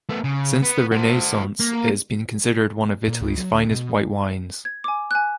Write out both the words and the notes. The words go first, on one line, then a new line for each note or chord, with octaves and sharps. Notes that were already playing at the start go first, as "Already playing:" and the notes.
Since the Renaissance, it has been considered one of Italy's finest white wines.
A3 B3
C#3
B3
F#4 C5
A#3
A#2
C#2
F#3
D2
B2
G#6
G#5 D6
G#5 F#6